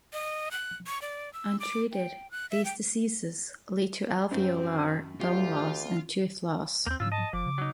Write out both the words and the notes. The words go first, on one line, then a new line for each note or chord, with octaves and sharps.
Untreated, these diseases lead to alveolar bone loss and tooth loss.
D#5
F#6
C#6
D5
E6
D6
G5
F#6
E5
G5
F#2 C4
D2 F4 G4
D#2 A#3 C4 G6
G#2 C#3 F4 E6
D#5 A5
F#1 F3 D6
C#3
F#3 D#4